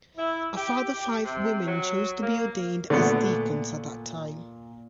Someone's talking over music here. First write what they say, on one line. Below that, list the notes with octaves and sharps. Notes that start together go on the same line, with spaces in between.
A further five women chose to be ordained as deacons at that time.
E4
G4
G4
C3
F#3
A#3
A#2 D3 A3 B3